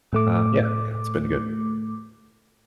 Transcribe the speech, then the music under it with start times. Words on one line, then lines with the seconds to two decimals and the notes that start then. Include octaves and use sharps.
uh, yeah, yeah, it's been good.
0.13 A2 A3 D6